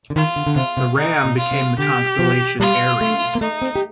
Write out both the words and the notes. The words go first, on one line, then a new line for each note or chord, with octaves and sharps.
The ram became the constellation Aries.
D3
D#3 F4
D3
D3
C3 F4
C3
D3 D#4
A#2
F4
C3
D3 G4
F3
G3 F4
A3
A#3
A3 D#4
C4
G4